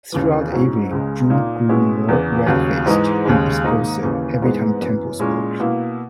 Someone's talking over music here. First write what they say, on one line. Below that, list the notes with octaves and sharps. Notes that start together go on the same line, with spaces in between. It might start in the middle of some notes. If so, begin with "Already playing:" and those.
Throughout the evening Drew grew more red-faced and explosive, every time Temple spoke.
D#2 C#3 E3
G#2 F#3 C#4 E4
C#2 C#3 G#3
A#2 A#3 D#4
B2 G#3 C#4 E4
E2 C#3 E3 B3
D#2 C#3 F#3
G#2 E3 G#3 D#4
D#2 C#3 G#3
G#2 D#3 A#3 D#4
D#2 C#3 E3 A#3
G#2 E3 G#3 B3
F#2 E3 B3
A#2 G#3 C#4 E4
B2 A#3 E4